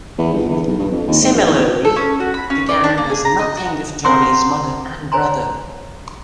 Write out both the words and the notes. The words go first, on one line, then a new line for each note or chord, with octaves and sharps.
Similarly, the gang knows nothing of Johnny's mother and brother.
E2
G1
E2
B1
G2
F2
D#2
G#2
A#1
E2
A4
C#4
F#4
B5
C#4
D5
D4
A#3
G#4
A#5
D#5
F#4
C4 A#4 C5 F#5 C6
C5 C#5 G#5 A#5 C6